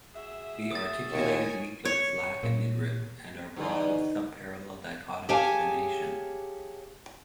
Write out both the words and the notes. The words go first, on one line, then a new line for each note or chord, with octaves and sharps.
The articulated leaflets lack a midrib, and are broad with subparallel dichotomous venation.
F#4 G#4 E5
D#6 A6
D#2 C#5 G#5
C#5
A#2
E2 D3 D#4
G4 G#4 C#5 F5 G#5 A5